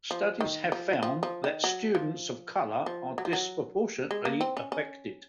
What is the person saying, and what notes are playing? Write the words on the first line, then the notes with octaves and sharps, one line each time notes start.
Studies have found that students of color are disproportionately affected.
F3
D#3
F3
F3
F3
D#3
F#3
F3
F3
F#3
F3
F#3
G#3
A#3
C4
C#4
C#4